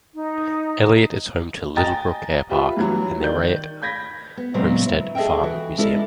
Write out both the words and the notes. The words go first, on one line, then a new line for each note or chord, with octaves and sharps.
Eliot is home to Littlebrook Airpark and the Raitt Homestead Farm Museum.
D#4
D#5 G5 G#5 A#5 A6
F4 G4 B4 E5
G2 E3 F#3
D#3 D5 G6
B5 G6 G#6 A#6 B6
B3
A#2 C#3 F#3 G#3 B3 C4
E4
G#4 A4 D#5 E5 G5
E3 F#4
G#3 D4 E4 A4 A#4